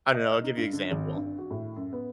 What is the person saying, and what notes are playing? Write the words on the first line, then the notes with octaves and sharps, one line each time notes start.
I don't know, I'll give you example.
D#5
F6
D#4
G2
D3
G#1
G2
F#4
A2
F#2
B3